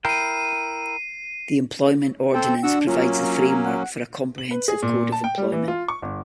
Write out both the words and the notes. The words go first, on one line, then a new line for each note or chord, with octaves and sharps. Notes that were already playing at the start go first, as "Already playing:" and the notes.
The Employment Ordinance provides the framework for a comprehensive code of employment.
E4 A#4 G5 C7 D#7
C4 A4 C5 G5
D4 F#4 F#5 E6
F#3 A#3 C#4 F4
A#5
F#5
F#7
B4
G#4
A#2
A5
G5
G3
E3
F4
C#6
G1